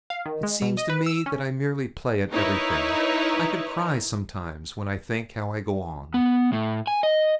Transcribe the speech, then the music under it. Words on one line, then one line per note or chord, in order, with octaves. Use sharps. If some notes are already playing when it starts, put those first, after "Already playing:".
"It seems to me that I merely play at everything. I could cry sometimes when I think how I go on."
F5
D#3
G#3
B2
D#5
B4
E6
C#4
D#4 E4 A#4 B4 C#5
B3
A2
G#5
D#5